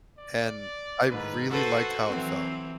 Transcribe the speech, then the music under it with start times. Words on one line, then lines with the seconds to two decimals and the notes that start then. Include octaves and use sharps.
and I really liked how it felt.
0.18 D5
1.10 G#2 D#3 B4
1.50 F#4 A4 B4 C5
2.08 E3 F#3 C4